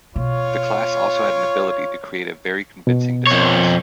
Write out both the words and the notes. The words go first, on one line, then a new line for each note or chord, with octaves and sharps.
The class also had an ability to create a very convincing disguise.
B2 F4 C#5
B2
F2 C#5